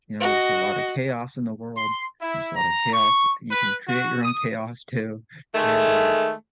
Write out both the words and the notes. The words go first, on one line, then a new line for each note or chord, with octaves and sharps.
you know, there's a lot of chaos in the world, there's a lot of chaos. You can create your own chaos too, and, uh,
F#4 D#5
C6
E4
A#5
C#6
B4
F#4
D#6
D#3 G#3 A3